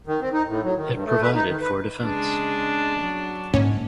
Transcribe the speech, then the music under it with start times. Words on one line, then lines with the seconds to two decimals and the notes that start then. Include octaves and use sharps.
It provided for defense.
0.07 D#3
0.21 C4
0.33 D#4
0.48 A2
0.63 F#3
0.77 D#3
0.91 G2
1.05 A3
1.21 B4
1.35 D#4
1.48 D#3
1.61 B4
2.02 C#3 G#3 D4
3.00 F#3
3.54 G#2 A#3 C#4